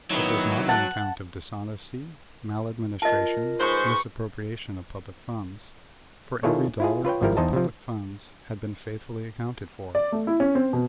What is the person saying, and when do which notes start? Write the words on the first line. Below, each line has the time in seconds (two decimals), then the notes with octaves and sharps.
It was not on account of dishonesty, maladministration, misappropriation of public funds; for every dollar of the public funds had been faithfully accounted for.
0.10 D#3 F#3 B3 D#4 E4
0.68 F#5 A5 F#6
3.02 F4 A#4 D#5 A5
3.60 G#2 G#4 B4 C5 C#6
6.43 D#3 E4 F4 G#4 A4 C#5
6.80 E4 F4 G#4
7.05 F4 B4 C#5 G5
7.22 G#1 F3 G3 E4 A#4
7.37 E2 D#4 C5 D#5 A5
7.53 C3 F3
9.95 D5
10.12 A3
10.27 E4
10.40 C#4
10.55 C4
10.73 B2